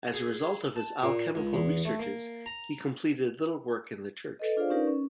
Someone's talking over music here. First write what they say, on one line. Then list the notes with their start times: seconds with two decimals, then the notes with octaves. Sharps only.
As a result of his alchemical researches, he completed little work in the church.
0.14 G#4
0.76 A5
1.03 A#2
1.35 C#2
1.53 E2
1.85 A3
1.99 A#3
2.46 A#5
4.39 A4 B4 D#5
4.57 D4 F4 G#4 C5 D5 F5
4.70 C#4 D#4 G4 A#4 B4 D5
4.87 C#4